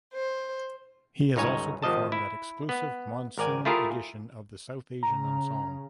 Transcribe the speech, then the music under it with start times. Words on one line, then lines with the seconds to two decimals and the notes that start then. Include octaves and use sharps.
He has also performed at exclusive monsoon edition of The South Asian Ensemble.
0.13 C5
1.36 G1 C#2 D#4 C#5 G#5
1.82 G#1 C3 F3 D#5 A5
2.12 E4
2.69 B3
3.37 G#1 A#4 D5 G#5
3.65 A3 E4 F4 G4 G#4 A#4
5.03 C#3 A#5